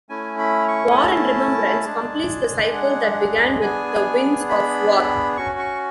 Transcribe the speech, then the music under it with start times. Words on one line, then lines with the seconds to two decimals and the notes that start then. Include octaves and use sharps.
"War and Remembrance" completes the cycle that began with "The Winds of War".
0.09 A3 C#4 E4 G#5
0.39 B5
0.68 C#6
0.90 G#5
0.97 A5
1.85 G#3 D4 G#4
2.73 F#5
3.61 B3 D4 G#4 G#5
4.49 B5
5.37 C#4 F#4 C#6
5.59 C#6